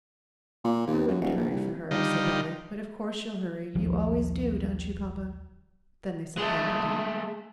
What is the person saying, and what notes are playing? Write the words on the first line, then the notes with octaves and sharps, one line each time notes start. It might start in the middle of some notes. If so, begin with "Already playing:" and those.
"I wouldn't hurry for her," said Dolly; "but of course you'll hurry. You always do, don't you, papa?" Then they sat down to dinner.
A#2
D#2
F#2
D#1
A#1
C2
D3 D#3 G3 D#4 F4
A#1 D#2 F3
G#3 A3